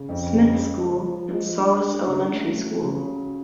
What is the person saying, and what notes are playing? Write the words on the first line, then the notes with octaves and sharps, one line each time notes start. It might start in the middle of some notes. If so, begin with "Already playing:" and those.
Smith School, and Solace Elementary School.
Already playing: C#3
F2
C#3
G#3
F3
F3
G#3
D4
D4
C#3
A3
F#3
C#3
F#3